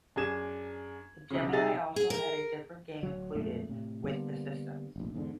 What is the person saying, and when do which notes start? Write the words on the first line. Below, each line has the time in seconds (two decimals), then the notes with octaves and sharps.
The Gemini also had a different game included with the system.
0.16 F#2 D4 G#4 G#6 E7
1.30 B1 C#3
1.52 C3 D#4 G#4 E5 A6
1.96 G#4
2.10 A#4
3.03 D1 F#3
3.35 F2 A#2 G#3 A3
3.69 A2 C3
4.04 D3 G3 A#3 B3
4.96 F1 A#1
5.14 E2 G#2 D3